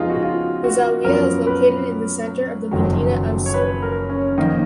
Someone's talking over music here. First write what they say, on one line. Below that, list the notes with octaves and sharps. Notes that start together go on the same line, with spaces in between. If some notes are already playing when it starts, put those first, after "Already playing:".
The zawiya is located in the center of the medina of Sousse.
Already playing: F2 C#3 G#3 B3 D#4 F4 G#4
F#4
F4
F#4
F#2 F3 B3 A#4
B4
F#1 F2 D#3 F#3
C#5
B4
A#4
C#4
F2 D#3 A#3 D#4